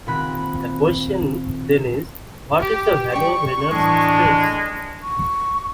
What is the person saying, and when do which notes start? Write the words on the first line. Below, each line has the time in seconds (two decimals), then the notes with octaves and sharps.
The question then is, what is the value of the Reynolds stress?
0.07 A#2 D#3 C4 B5 F#6
2.61 G4
3.12 D5 G5 C#6
3.71 A2 E3 G#3 D4
5.03 C#6